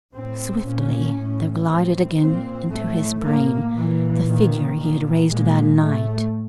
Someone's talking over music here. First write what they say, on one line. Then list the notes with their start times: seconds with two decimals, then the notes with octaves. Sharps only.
Swiftly, there glided again into his brain the figure he had raised that night.
0.14 A2 C4
0.65 A#2 C#4
1.17 A2
1.68 A2 C4
2.20 A#2 C4
2.72 A2 A3
3.23 A2 A#3
3.75 A#2 E3
4.26 A#2 D#3
4.78 A#2 D#3
5.29 A#2 G#3
5.81 A2 A3